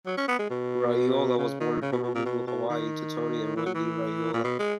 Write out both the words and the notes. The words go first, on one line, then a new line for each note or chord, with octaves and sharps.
Raiola was born in Honolulu, Hawaii, to Tony and Wendy Raiola.
F#3
C#4
B3
G#3
B2
C#3
D#3
C#3
B2
B2
A#2
B2
B2
D#3
E3
F#3
E3
A#2
B2
G#3